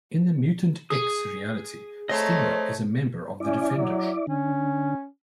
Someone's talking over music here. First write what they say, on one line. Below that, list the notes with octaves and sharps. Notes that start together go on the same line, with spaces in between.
In the "Mutant X" reality, Stingray is a member of the Defenders.
G#4 D#6
A3 C4 C5 C#5 D#5 A#5
C#4 E4 D5
F#3
D3 C#4